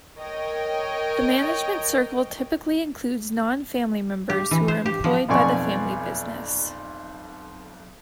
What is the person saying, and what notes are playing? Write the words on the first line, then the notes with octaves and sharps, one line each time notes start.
The Management circle typically includes non-family members who are employed by the family business.
A#4 C#5 D#5 G5
G4
E3
C5
G4
F3
B1 F2 B2 D5 G#5 C#6